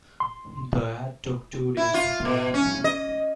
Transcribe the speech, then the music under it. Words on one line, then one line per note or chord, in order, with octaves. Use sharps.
The ad took two days to film.
C6
E4
F4
B2
C#4
D#5